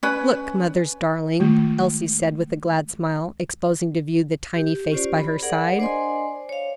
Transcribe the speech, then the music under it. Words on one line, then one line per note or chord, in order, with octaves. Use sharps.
"Look, mother's darling," Elsie said with a glad smile, exposing to view the tiny face by her side.
C#4 B4
D#3 G#3 A3 F4
G4
C#4 F4 G4 C5 D5
B5
G#4 A#4 D5 F#5
D4 C5 D5 D#5 G#5 C6
C#5 F5